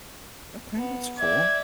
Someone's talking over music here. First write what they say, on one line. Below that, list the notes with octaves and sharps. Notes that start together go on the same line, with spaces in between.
Okay, that's cool.
B3
D5 E5 G#6